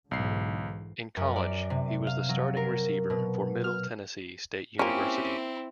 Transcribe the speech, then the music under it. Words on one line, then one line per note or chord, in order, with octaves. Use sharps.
In college, he was the starting receiver for Middle Tennessee State University.
B1 G#2 D3 E3 C7
F#2
D5
C3
F5
F#3
A#4
B2
F6
A#3 C4 C#4 E4 F4 G4